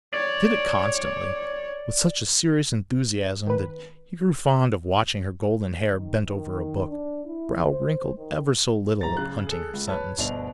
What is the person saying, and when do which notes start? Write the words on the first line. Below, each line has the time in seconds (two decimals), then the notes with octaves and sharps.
She did it constantly, with such a serious enthusiasm that he grew fond of watching her golden hair bent over a book, brow wrinkled ever so little at hunting her sentence.
0.14 C#5 D5
3.47 D#3 B4
5.88 D#3
6.24 D#3
6.88 D4
7.24 E4
7.69 C5
8.17 D#3
9.01 D1 A#5 A6
9.17 C#3 F#6
9.47 G#4 A4
9.74 C#2
9.87 B4 C#5 A5
10.18 G1 D2 B2 D4 D#5 F7